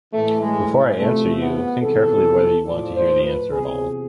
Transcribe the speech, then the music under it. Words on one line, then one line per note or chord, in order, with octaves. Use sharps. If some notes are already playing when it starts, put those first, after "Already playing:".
Before I answer you, think carefully whether you want to hear the answer at all.
A2 E3 A3
G#3
E2 C3 F3 A3
B3
E2 C3 E3 A4
A2 F3 D5
C5
B4
E2 C3 F3 G#4